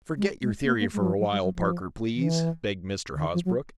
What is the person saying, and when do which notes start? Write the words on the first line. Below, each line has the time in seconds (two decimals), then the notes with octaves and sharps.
"Forget your theory for a while, Parker, please," begged Mr. Hosbrook.
0.17 G#3
0.42 G#3
0.64 B3
0.67 A#3
0.80 A#3
0.93 G#3
0.99 F#3
1.06 F3
1.19 F#3
1.31 G3
1.44 F#3
1.56 F3
2.16 D#3
2.19 E3
3.14 D3
3.20 D#3
3.34 F3
3.45 F#3